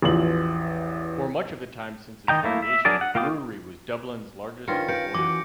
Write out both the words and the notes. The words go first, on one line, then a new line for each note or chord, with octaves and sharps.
For much of the time since its foundation, the brewery was Dublin's largest employer.
A1 E2 F3 F#7
D#3 D#5 G5 A#5
A3 A#3 E4
E5
F#3 D4 G#4 A#4 D5
F#5
A#3 F4 G5 D6 D#6
D#3 C#4 D4 F4 B4 C5 A#6 C#7
A#4 B4 F5 G6 C#7 D7
E3 F#4 D6